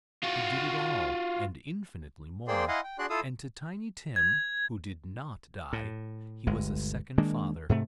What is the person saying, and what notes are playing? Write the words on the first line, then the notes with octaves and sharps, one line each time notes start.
He did it all, and infinitely more; and to Tiny Tim, who did NOT die, he was a second father.
F4 F#4
A#3 G#4 C5 D5 G5 C6
E4 D#5 F5 F#5 G#5 C6
G5
D4 F#4 G#4 D5 C6 F#6
E4 F4 A4 F5 D#6 E6
G#6
A2
G1 D2 G#3
D#3 G#3 A#3 D4
G#2 C3 A3